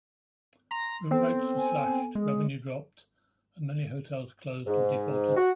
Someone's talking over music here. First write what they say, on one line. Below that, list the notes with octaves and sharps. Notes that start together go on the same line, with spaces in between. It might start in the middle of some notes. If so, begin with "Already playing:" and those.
Room rates were slashed, revenue dropped, and many hotels closed or defaulted.
A#5 C6
B3 C4 A4
G#5
G#3 G#4
G#2
F#4